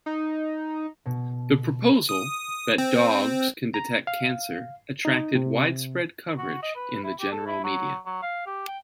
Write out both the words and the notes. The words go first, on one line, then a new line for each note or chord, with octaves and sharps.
The proposal that dogs can detect cancer attracted widespread coverage in the general media.
D#4
B2
D#6
C4
A#5
F5
D#4
C3
F#4
D#5
B4
E4
G4
A4
E4
F#3
F#3
F5
G4
G5